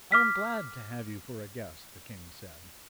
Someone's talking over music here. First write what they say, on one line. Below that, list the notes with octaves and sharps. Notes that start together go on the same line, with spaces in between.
"I am glad to have you for a guest," the king said.
D6 F6 B6